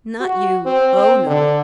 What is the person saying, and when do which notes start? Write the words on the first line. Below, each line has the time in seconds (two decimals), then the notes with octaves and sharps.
"Not you--oh no!"
0.20 F#4
0.65 C4
0.95 C4
1.27 D3